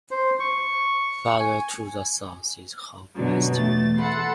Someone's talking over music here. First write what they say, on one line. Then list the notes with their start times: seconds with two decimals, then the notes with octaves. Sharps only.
Farther to the south is Hoffmeister.
0.11 C5
0.40 C#6
1.40 G#5
3.15 F#2 B2 D3 F#3
3.55 E2 A3 A6
3.98 A4 F#5 B5 C6